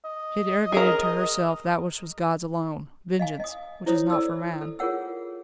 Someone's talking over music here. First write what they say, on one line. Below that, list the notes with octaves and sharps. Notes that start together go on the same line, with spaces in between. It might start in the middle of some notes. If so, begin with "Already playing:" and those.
She had arrogated to herself that which was God's alone--"Vengeance!" which is not for man.
D#5
G#4 A#4
D#5 F5 G#5
D#5 D#6
E4 C5 C#5 D#6
A4 D5 D#6 E6
A4
F4 G#4 A#4 C#5 F#5 E6